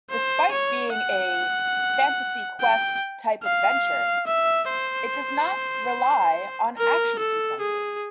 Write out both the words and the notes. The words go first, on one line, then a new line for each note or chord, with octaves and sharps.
Despite being a "fantasy quest type adventure", it does not rely on action sequences.
C5
C#5
F#5
G5
F5
E5
C5
A#4
A4
G#4